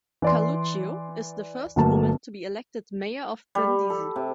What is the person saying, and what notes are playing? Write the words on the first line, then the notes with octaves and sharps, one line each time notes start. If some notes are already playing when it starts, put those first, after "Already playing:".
Carluccio is the first woman to be elected Mayor of Brindisi.
E3 D5 C6
G1 F#3 A3 A#3 A5
G3
A4
C3